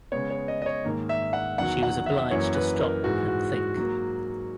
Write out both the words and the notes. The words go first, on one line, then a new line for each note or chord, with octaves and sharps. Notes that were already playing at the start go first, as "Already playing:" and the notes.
She was obliged to stop and think.
C#3 G#3 B3 C#5
C#5
D#5
D#5
C#5
G#2 D#3 A#3
E5
F#5
E2 D#3 F#3 F#5
F#5
E5
F#2 E3 A#3 C#5
B4
A#4
G#2 E3 G#3 F#4
F#4
F#4
G#2 F#3 A#3